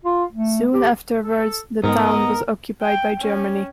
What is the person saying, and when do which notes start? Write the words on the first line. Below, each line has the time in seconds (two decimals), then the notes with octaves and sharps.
Soon afterwards the town was occupied by Germany.
0.05 F4
0.32 A3
0.73 G4
1.23 A4
1.84 G#2 G#3 B3 A#4 D#5
2.82 G5
3.20 C#4